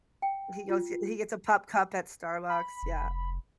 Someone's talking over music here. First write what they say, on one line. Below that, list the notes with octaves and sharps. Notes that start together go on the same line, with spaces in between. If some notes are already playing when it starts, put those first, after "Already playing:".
He goes, yeah, he gets a Pup Cup at Starbucks. Yeah.
G5
F4
B5
F1